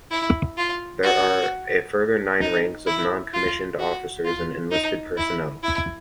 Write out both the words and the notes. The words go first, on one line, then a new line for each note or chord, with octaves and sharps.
There are a further nine ranks of non-commissioned officers and enlisted personnel.
E4
F4
F#4
D#4
E4
F4
F#4
F4
D#4
E4
E4